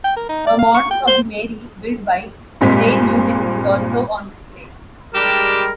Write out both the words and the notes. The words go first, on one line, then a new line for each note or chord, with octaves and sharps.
A model of the "Mary", built by Des Newton is also on display.
G5
A#4
D#4
D5
F5
C#6
G5
C5
G2 A#2 G#3 C4 B6
G3 G#3 D4 G4 A#4 E7